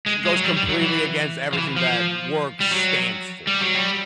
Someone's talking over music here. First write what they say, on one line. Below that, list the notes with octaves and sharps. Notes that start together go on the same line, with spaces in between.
it goes completely against everything that work stands for.
G#3
G#3
F#3
G3
G3
F#3
E3
F3
E3
F3
G3
F#3
G3
F#3
G3